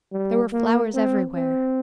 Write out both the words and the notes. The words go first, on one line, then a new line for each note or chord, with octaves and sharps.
There were flowers everywhere.
G3
A#3
C4
C4